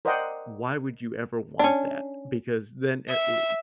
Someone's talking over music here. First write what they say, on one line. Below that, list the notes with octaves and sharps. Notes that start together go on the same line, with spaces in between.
why would you ever want that? Because then it eh
A#4 C5 D5 D#5 F#5 G5
C#4 D4
E5